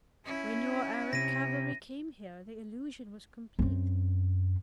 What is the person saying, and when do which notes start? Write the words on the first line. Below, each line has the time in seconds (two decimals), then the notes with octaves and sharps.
"When your Arab cavalry came here the illusion was complete."
0.24 C#4 E4
1.13 C3 A#6 D#7
3.59 F#2 C4